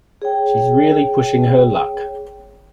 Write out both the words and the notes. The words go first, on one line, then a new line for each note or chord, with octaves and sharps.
She's really pushing her luck!
G#4 C#5 G5